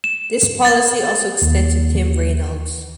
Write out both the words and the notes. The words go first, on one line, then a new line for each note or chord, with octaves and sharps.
This policy also extends to Tim Reynolds.
E7
A6
D#2